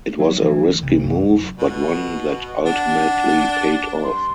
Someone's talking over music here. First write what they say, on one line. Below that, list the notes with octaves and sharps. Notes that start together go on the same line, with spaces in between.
It was a risky move, but one that ultimately paid off.
F#3
E3
D2
C2
F#2
B2
D4 F#5
G2 C6